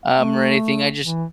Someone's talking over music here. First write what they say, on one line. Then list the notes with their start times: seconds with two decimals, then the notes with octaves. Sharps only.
um, or anything, I just
0.16 A3
1.04 E3